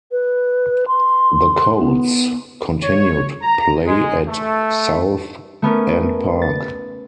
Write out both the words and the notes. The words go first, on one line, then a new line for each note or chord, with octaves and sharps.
The Colts continued play at South End Park.
B4
C6
B3
C#5
A#5
G#3
A3
A3 B3 C#4 A#4
A6